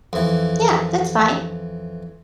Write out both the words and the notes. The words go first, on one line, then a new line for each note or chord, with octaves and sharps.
Yeah, that's fine.
F2 E3